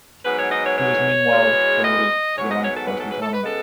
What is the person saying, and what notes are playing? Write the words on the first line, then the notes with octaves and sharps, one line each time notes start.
He was meanwhile promoted to the rank of First lieutenant.
G#2 F#3 B3 B4
C#5
D#5
C#5
C#5
E2 B2 G#3
D#5
G#2 F#3 B3 C#5
D#5
C#5
A4
B4
A4
B4
A4
B4
C#3 G#3 B3 A4